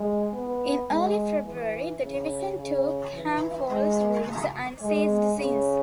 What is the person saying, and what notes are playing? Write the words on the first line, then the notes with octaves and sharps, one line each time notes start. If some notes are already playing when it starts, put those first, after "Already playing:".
In early February, the division took Campholz Woods and seized Sinz.
Already playing: G#3
B3
G#3
E3
C#3
C#3
E3
G#3
G#3
C#3